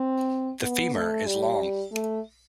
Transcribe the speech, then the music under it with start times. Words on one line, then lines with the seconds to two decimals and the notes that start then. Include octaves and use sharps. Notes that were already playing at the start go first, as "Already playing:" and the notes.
The femur is long.
Already playing: C4
0.61 B3
0.94 A3
1.26 G3
1.92 A3